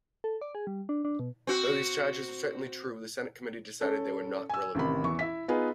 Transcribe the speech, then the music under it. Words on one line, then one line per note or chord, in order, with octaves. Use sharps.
Though these charges were certainly true, the Senate Committee decided they were not relevant.
A4
D5
G#4
G3
D4
D4
B2
C4 F#4
C#4 A4
G#5 E6
A1 C3 D#3 B5
E2 E3 C#6
E4 E5 B6
B3 D#4 F4 G#4 B4